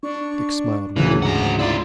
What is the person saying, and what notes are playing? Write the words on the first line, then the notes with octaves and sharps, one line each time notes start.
Dick smiled wearily.
D4 C#6
D2 C#3 E3 F#3 B4
G#2 C3 F#5 A#5
E4 F4 D5